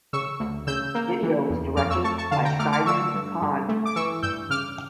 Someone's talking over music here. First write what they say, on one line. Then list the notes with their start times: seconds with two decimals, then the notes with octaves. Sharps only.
The video was directed by Simon Cahn.
0.13 C#3 C#6 E6
0.40 D2
0.67 C#3 E6 G6
0.95 A#3
1.23 E3
1.50 E2
1.76 F2 D6 F6
1.90 C#6 E6
2.04 A3 A5 C#6
2.18 A5 C#6
2.31 D3 F5 A5
2.45 G5 A#5
2.59 A3 D6 F6
2.72 D6 F6
2.86 D3 C#6 E6
3.14 G2
3.41 G2
3.68 A3
3.85 D6
3.96 E3 C#6 E6
4.22 G2 E6 G6
4.50 C#3 D6 F6